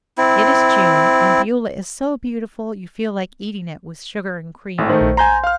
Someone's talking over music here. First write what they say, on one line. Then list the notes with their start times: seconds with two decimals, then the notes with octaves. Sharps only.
It is June, and Beulah is so beautiful you feel like eating it with sugar and cream!
0.18 C4 E4
4.78 G#1 A2
4.89 D#3 A3 C5
5.01 A#1
5.17 G#5 A#5 C6 G6
5.44 F5 F6